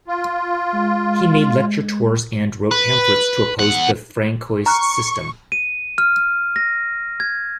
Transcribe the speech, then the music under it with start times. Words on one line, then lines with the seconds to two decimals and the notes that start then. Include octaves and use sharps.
He made lecture tours and wrote pamphlets to oppose the Francoist system.
0.08 F4
0.73 G#3
2.71 B4
3.59 E2 F#5
4.66 A#5 C#6 F6 F#6
5.52 D#7
5.98 F6
6.56 A#6
7.20 G#6